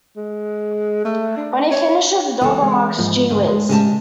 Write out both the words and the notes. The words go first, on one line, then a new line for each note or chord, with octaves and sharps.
When he finishes, the dog remarks, Gee whiz!
G#3
A3
D4
C#5
C#2 E3 B3 A4
G#3
G#2 F3
D2 G#2 D#3
G#3
A2 C#3 G#3 G4 A5